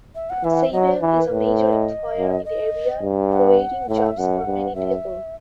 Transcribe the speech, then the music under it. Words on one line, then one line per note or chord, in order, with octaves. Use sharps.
Sabian is a major employer in the area, creating jobs for many people.
E5
F#5
E3 E5
F#5
E5
F#3 D#5
C5
E3 B4
A2
C5
D#5
F#2
D#5
G2
F#5
A2 E5
F#5
E5
F#2 F#5
G2
F#2 E5